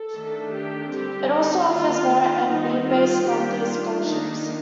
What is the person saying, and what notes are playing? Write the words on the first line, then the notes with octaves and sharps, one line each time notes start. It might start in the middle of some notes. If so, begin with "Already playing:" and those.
It also offers merit and need-based monthly scholarships.
Already playing: A4
D#3 A3 D4
G4
D3 G3 C4 G4
D#4
D#3 A#3 D4 F4
D#3 G3 C4 D#4
F4
D#3 G3 D4 G4
F4
D#3 A#3 D4 D#4